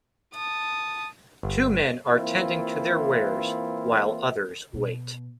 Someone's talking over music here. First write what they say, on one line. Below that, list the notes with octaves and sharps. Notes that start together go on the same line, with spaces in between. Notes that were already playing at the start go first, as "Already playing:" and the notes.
Two men are tending to their wares while others wait.
A5 D#6
G1
E3 A#3 C4 E4 F4
B2